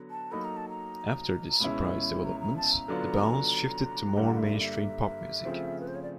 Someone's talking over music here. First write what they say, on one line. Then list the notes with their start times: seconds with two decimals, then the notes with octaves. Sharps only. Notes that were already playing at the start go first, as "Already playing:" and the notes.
After this surprise development, The Bounce shifted to more mainstream pop music.
Already playing: D3 F#3 B3
0.11 A5
0.31 F#3 A#3 D#4 F#4 A4 B5
0.44 A#5
0.57 A5
0.69 A#5
1.48 A#5
1.60 C#2 B2 G#3 C#4 E4 B5
2.25 A#5
2.40 A#5
2.57 A5
2.72 A#5
2.88 D3 F#3 B3 D4 F4
4.17 G2 D3 G3 A#3 F#5
4.38 E5
4.60 E5
5.45 C#3 F3 A3 C4 F4
5.80 B4
5.88 C5
5.95 C#5
6.03 D5